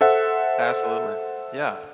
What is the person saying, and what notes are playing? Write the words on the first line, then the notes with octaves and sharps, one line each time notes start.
Absolutely. Yeah.
A4 C5 E5 F#5